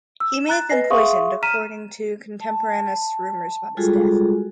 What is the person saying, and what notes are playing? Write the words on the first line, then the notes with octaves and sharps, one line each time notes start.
He may have been poisoned, according to contemporaneous rumors about his death.
E6
E7
A#5 F#6 A6
B4 D#5 G#5 A#6 C7
G#4 E5 F5 C6 C#6 D#6
A#5 F6 B6 D#7 E7
A5
G3 G#3 F4 F#4 G#4 A4